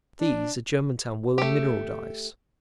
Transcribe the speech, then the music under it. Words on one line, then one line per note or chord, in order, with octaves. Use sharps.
These are Germantown wool and mineral dyes.'
D4
A3 G4